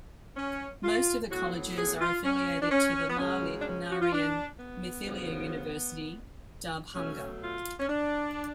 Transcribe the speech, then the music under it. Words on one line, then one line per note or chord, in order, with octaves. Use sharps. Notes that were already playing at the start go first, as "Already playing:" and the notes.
Most of the colleges are affiliated to the Lalit Narayan Mithila University, Darbhanga.
C#4
F4
A2 F#3 B3 F#4
G#4
F4
C#4
D4
C#4
B3
F#2 C#3 G#3 C#4
D4
C#4
F#4
F4
D4
B3
D2 C#3 F3
B2 F#3 A3 C#4
F4
C#4
D4